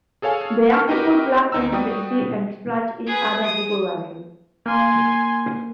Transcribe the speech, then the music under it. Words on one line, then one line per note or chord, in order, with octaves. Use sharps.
The young people plunged into the sea and splashed each other vigorously.
G#4 A4 C#5 F5 G#5
B4 A5 C#6 E6 F6
F#4 G4 A#4 B4 D#5 G5
D2 D#4 A#5 E6
G3 F#4 G5 D#6
G#4 B4
D#6
A#3 G#5 C6